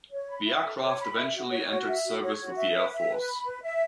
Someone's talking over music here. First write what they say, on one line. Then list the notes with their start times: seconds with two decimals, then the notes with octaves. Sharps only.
The aircraft eventually entered service with the Air Force.
0.11 C#5
0.29 B5
0.46 E5
0.64 A4
0.81 C#5
1.00 B5
1.17 E5
1.35 F#4
1.51 C#5
1.69 F#4
1.87 E5
2.05 F#4
2.23 C#5
2.40 F#4
2.57 E5
2.75 B4
2.93 E5
3.11 B4
3.27 B5
3.45 B4
3.63 E5